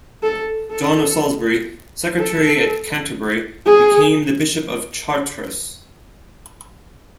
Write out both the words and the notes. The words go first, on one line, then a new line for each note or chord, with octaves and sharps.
John of Salisbury, secretary at Canterbury, became the bishop of Chartres.
A4
A4
A4
G#4